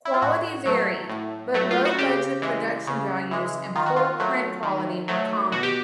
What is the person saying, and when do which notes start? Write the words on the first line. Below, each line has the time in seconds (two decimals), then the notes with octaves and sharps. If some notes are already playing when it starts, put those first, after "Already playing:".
Quality varied, but low budget production values and poor print quality were common.
0.05 E4
0.14 F4
0.22 A2 F#4
0.66 F#3 A3
1.09 A2
1.54 F#3 A3
1.71 F4
1.85 F#4
1.99 C#3 G4
2.42 E3 G#3
2.87 C#3
3.31 E3 G#3
3.75 D#3 F4
3.86 F#4
3.96 F4
4.20 F#3 A3
4.63 D#3
5.08 F#3 A3
5.52 B2 F#4
5.63 G4